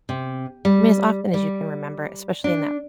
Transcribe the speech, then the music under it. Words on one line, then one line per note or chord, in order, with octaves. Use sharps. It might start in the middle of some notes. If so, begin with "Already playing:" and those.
mean, as often as you can remember, especially in that
C3
G3
G3
D4